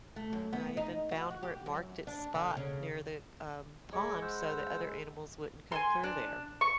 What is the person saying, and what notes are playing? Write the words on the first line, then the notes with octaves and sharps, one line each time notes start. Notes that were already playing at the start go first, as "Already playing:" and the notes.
I even found where it marked its spot near the, um, pond so that other animals wouldn't come through there.
A3
F#2
B3
D#4
F#4
F#4
G4
F#2
D4
D3
C#3
G#3 C#5 D#5 B5 C#6 D6
C5 F#5 E6
G#5 A5 C6
D4
C#6